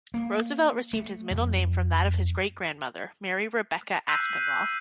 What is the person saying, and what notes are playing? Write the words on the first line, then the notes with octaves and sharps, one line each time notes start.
Roosevelt received his middle name from that of his great-grandmother, Mary Rebecca Aspinwall.
A#3
A3
F2
E6 F#6 G6 B6 C7 D#7